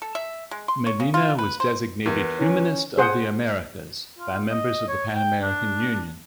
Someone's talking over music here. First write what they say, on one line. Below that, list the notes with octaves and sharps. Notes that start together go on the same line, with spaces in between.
Medina was designated "Humanist of the Americas" by members of the Pan American Union.
A4
E5
G#3
C6
C#5
C#3
F4
B4
C5
E2 G4 A#4 B4 F#5
C#4 E4
G#4 C5 F#5
F4
D#5
C#5
G5
D4